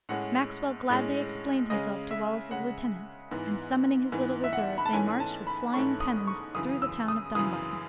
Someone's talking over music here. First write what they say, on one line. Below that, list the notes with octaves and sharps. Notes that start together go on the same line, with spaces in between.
Maxwell gladly explained himself to Wallace's lieutenant; and summoning his little reserve, they marched with flying pennons through the town of Dumbarton.
A2 G#3 C#4 F#5
A2 G#3 C#4
C#3 G#3 C#4 D#5
E5
C#3 G#3 C#4 F#5
G#2 E3 B3
G#2 E3 B3
E5
F#5
B5
A5
G#2 E3 A3 C#4 G#5
A5
B5
G#2 E3 A3 C#4 C#6
D#6
C#6
F#2 C#3 E3 D#6
E6
D#6
F#2 C#3 E3 D#6